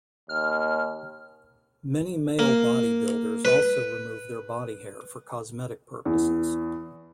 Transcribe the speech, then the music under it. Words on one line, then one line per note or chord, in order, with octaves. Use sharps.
Many male bodybuilders also remove their body hair for cosmetic purposes.
D#2 F6
A#3
B4
E2